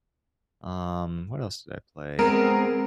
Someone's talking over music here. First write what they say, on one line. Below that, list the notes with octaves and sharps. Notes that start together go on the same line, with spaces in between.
um, what else did I play?
G#3 B3 C4 A#4